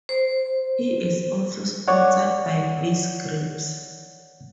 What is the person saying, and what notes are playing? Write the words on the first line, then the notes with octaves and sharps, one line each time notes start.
He is also sponsored by Vise Grips.
C5
C#5 D5 F#5